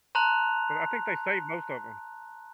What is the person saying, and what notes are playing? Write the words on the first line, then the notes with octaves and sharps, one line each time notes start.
But I think they saved most of 'em.
A5 A#5 C6 F#6 F7